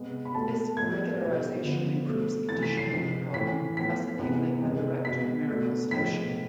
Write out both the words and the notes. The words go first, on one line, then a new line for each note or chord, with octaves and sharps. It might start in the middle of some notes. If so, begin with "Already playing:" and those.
This regularization improves the conditioning of the problem, thus enabling a direct numerical solution.
Already playing: C3 G#3 B3
B5
B2 A3 A5
A2 F3 G#3 B3 G#6
B2 G#3 B3
D3 F3 B3
B2 A3
C3 E3 A3 A6
B6
C7
C3 F3 G#3 C7
A2 E3 A3 B6
A2 F3 B3 B6
C3 E3 G#3 B3
C3 G#3 B3
B2 G#3 B3 B6
B2 A3
A2 F3 G#3 B6